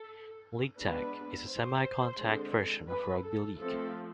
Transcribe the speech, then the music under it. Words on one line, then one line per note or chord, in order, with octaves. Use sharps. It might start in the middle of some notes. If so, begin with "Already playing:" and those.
League tag is a semi-contact version of rugby league.
Already playing: A4
G#3 B3 D4 B4
C5
D3 G#3 C4
B4
A4
F3 A3 C4 A4